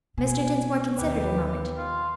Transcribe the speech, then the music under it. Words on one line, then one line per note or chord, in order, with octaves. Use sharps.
Mr. Dinsmore considered a moment.
B2 G#5
D#2 G4 B4
F4